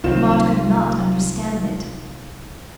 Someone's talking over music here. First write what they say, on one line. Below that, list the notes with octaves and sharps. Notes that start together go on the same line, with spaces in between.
Maud could not understand it.
C2 D#3 F#3 C4 F4 E7